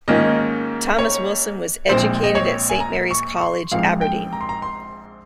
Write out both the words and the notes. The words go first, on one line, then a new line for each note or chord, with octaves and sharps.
Thomas Wilson was educated at Saint Mary's College, Aberdeen.
G#2 D#3 A#3 C#4 F4 D#5
C#5
A#1 A#2 G#3 C4 C5
D#5
C#5
G#5
A#5
C#6
C#6
C6
A#1 G#2 F3 G#3 C4 F5
G5
A#5
C6
A#5
C6